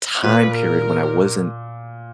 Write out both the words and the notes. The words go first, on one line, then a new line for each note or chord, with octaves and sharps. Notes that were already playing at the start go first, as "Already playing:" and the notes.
time period when I wasn't
A#2 B4
A#4